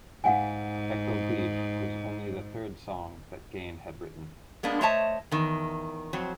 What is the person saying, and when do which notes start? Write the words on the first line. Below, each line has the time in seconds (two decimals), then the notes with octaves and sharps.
"Echo Beach" was only the third song that Gane had written.
0.24 G#2 F5 F#5 G#5
4.63 G#3 A#3 B3 D4
4.81 A3 C5 C#5 D#5 E5 A5
5.31 E2 D#3
6.13 F2 F#3 C4